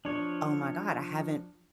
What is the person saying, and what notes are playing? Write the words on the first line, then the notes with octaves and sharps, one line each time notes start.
"Oh my god. I haven't"
F3 D4 C#5